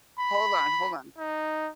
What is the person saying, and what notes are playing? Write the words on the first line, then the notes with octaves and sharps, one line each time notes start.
Hold on, hold on.
B5
D#4